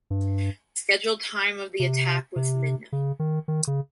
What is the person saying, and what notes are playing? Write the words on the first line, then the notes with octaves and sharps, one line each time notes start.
The scheduled time of the attack was midnight.
G2
C3
C3
C#3
D#3
D#3
C#3